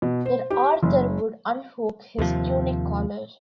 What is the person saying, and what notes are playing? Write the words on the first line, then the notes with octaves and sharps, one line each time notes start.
Then Arthur would unhook his tunic collar.
B2
C5
G4
F#1
D#2 C3 F3